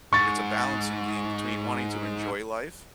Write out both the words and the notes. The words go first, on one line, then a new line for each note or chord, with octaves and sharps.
it's a balancing game between wanting to enjoy life
G#2 C#6 A6